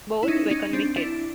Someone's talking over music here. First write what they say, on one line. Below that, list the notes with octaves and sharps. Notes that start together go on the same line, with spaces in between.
Both were convicted.
E4
C#4 D#4
C#4 D#4
C4 D4
D4 E4